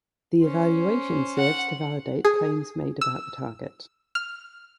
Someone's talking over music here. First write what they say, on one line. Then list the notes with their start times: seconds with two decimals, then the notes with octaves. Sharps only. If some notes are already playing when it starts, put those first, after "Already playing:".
The evaluation serves to validate claims made about the target.
0.42 C#4 C5
1.38 F#5
2.25 G#4
3.01 E6
4.15 F6